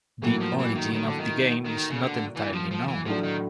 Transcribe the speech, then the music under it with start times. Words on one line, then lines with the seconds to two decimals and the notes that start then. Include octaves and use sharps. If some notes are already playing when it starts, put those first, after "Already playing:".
The origin of the game is not entirely known.
0.22 A2 E3 F#3 A#3
0.40 F3
0.59 E3
0.76 D#3
0.93 D#3
1.06 D3
1.20 D#3
1.65 D#3
1.90 C#3
1.99 D3
2.36 E3
2.53 F3
2.71 F3
2.88 E3
3.05 A2 F3 F#3 A3 D4
3.23 D#3